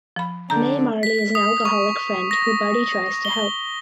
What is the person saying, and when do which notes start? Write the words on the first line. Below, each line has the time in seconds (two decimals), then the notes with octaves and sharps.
May Marley is an alcoholic friend who Buddy tries to help.
0.16 F3 B5
0.50 D3 A#5 G6
1.03 B6
1.35 D#6
1.65 C#6
2.31 A#6
3.25 G7